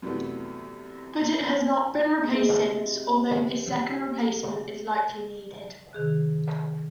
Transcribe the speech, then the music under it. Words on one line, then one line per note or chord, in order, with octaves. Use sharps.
But it has not been replaced since, although this second replacement is likely needed.
F#2 C3 E3 G3 A3 B3
C3 G#3
C3 D#3 G#4 F#6